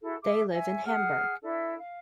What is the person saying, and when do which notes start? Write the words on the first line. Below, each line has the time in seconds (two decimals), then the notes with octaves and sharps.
They live in Hamburg.
0.02 E4 F#4 G#4 A4
0.22 G#4 E5 D6
0.50 C#5 E5 G#5
0.84 G#4 F#5 F6
1.42 D4 E4 A4 E5
1.77 F5